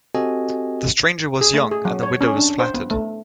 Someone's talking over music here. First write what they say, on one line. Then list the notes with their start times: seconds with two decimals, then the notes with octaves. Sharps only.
The stranger was young, and the widow was flattered.
0.15 C4 F#4 G4 A4 D#5 G#5
1.41 G#4
1.54 A3
1.71 G#4
1.85 F#3
2.03 C#5
2.21 C#4
2.36 D4
2.59 C5
2.74 B3
2.91 A3